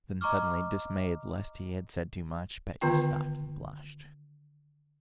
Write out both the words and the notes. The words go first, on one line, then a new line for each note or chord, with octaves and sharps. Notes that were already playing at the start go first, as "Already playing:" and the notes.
Then suddenly, dismayed lest he had said too much, Petya stopped and blushed.
D#5 A#5 C#6 D6 F6
D3 D#3 B3 F4 G5